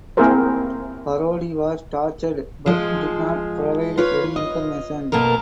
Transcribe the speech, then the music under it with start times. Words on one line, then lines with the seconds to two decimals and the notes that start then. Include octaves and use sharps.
Parodi was tortured but did not provide any information.
0.17 A#3 C4 E4 G#4 A#4 C5
2.66 F3 G#3
3.97 F4 B4 C#5
4.36 D#5
5.12 B2 A#3 A4 A#4